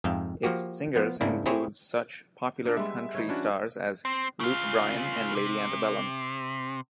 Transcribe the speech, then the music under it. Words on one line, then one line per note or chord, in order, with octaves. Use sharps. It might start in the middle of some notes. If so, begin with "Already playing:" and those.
Its singers include such popular country stars as Luke Bryan and Lady Antebellum.
F2 G#2 E5 F5 G5
F3 A#3 F#4 G4
F3 B3
G#2 C#3 A#3 C4 D4 E4
C4 E4 G4 G#4 C5 C#5
A#3 D4 D5
G3 G#3 B3 E5
E3 D#4 C#5
C#4 D4 E4 F#4
C4
C#3 F4
C3